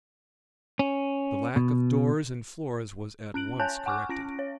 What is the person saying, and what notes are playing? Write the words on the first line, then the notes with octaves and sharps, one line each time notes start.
The lack of doors and floors was at once corrected.
C#4
B2
C#4 F#6 D7 F#7
C#5 G#5 A5 F#6 G6
F#5 G#5 C#6 D6 F6 F#6
C#4 A#6 D7
C#5